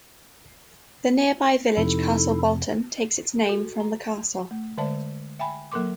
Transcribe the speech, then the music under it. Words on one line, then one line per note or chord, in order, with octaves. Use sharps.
The nearby village Castle Bolton takes its name from the castle.
F2 C3 D#4 E4 A4
F#4 A4
A#5
A3
D3 G#3 C5 D5 E5 A5
E5 G5 G#5 B5
F#3 A#3 A4 A#4 C6 D6